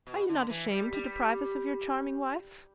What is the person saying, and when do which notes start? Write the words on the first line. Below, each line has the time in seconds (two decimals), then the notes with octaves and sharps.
"Are you not ashamed to deprive us of your charming wife?"
0.07 B2
0.29 D3
0.50 E3
0.71 G3
0.93 G3